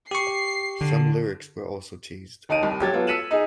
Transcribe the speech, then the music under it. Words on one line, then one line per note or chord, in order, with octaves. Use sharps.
Some lyrics were also teased.
G4 C#6 C7
D3
D#2 D#4 A5 D7 D#7
C2
E1 F#3 G4 A4 G#6 A6
F#3 B3 F4 A4
E6 B6 C#7 D#7 E7 F#7
D#4 G#4